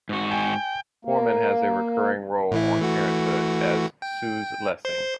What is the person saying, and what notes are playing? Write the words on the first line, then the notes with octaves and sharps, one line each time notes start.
Foreman has a recurring role on "Parenthood" as Suze Lessing.
G#2 F#4
G5 G#5
A#3
A2 E3 E4
E3 A3 F#4
G5
C5 C6